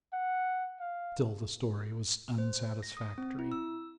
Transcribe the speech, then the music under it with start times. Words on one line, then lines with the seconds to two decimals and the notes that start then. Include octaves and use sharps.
Still the story was unsatisfactory.
0.13 F#5
0.80 F5
2.38 C5
2.83 A#6
2.97 D#6
3.18 C4
3.39 E4
3.52 E6